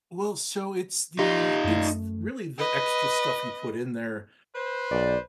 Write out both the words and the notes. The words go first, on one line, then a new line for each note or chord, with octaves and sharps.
Well, so it's the it's th really, the extra stuff you put in there,
D#4 F4 G4
F#2 A3
B4 D#5
B4 C5
B1 D5